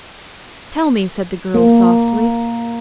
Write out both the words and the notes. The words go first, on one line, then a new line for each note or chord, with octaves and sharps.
"Tell me," said the girl softly.
A#3